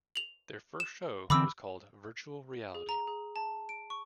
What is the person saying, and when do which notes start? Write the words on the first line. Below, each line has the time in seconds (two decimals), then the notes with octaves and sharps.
Their first show was called "Virtual Reality".
0.16 F7 F#7
0.80 E7
1.30 D3 E3 C4 B5 D6 E6
2.75 G#4
2.89 A#5
3.07 G#4
3.36 A5
3.69 D7
3.90 C#6